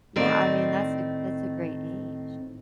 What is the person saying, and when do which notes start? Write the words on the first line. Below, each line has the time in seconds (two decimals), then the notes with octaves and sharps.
Yeah, I mean, that's a that's a great age.
0.16 A2 D#3 C4 D5